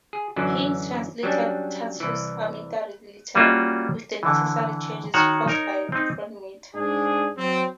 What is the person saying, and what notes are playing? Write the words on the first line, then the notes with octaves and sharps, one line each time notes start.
He translated Tasso's "Aminta" literally, with the necessary changes forced by a different meter.
G#4
F#2 D3 E3 F#3
F#3 G3 C#4 D4
C2 E3
G3 A#3 C#4 F4 F#4
D3 E3
D#3 F#4 C#5 F#5
D#4 A#4 C#5
C4 D#4
G#2 D4 G#4
F#3 C4